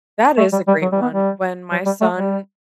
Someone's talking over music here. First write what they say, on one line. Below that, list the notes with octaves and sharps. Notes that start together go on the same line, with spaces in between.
That is a great one. When my son
A3
G3
G3
F#3
G3
B3
G3
F#3
G3
A3
G3